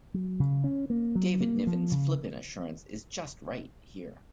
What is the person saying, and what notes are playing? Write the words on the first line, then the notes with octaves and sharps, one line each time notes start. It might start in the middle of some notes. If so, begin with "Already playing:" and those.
David Niven's flippant assurance is just right here.
F#3
C#3
C#4
A#3
F#3
A#3
F3
C#3